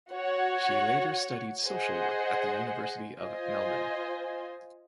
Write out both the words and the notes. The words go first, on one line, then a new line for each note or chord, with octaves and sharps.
She later studied social work at the University of Melbourne.
F#4 C#5 F#5
G#4 C5 D#5 F#5
F4 C5 D#5 G#5